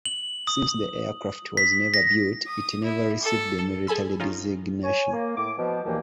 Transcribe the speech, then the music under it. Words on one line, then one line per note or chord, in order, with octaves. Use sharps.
Since the aircraft was never built, it never received a military designation.
F#7
D#6
B6
A#6
D#6
E4
A4
G#4 A4 G#5 B5 E6
C#4 D#4 F4
C#5 G#5
A#3
A2 D6
B2 F3
D#2 A#2 E3 F3 A#3